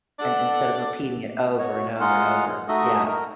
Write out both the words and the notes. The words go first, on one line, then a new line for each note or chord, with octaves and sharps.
And instead of repeating it over and over and over, yeah.
D4 A4 F#5
F#4 C#5
G#3 D#4 F4 F#5 F6
A3 D#4 F#4 D#5 E5
A#4